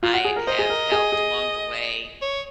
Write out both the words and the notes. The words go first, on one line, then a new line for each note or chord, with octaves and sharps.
I have helped along the way,
F4
F#4
G#4
A#4
C5 D#5
G#4
A#4
G#4
G#4
C#5